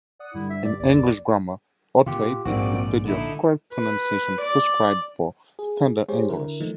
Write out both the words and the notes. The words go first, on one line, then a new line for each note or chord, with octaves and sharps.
In English grammar, orthoepy is the study of correct pronunciation prescribed for Standard English.
D5 F#5 D#6
G2 D3 G3 E4
E5
D5
B1 F2 A#3 D5
A#2 F4 G4
A#1 G#2 A#3 C4 F#4 D5
D3 D#4 E4 A4
B4
D5
G#4
G#3 G4 G#4 C5 C#5
D3 E4 A#4
E3 F3 A3 D#4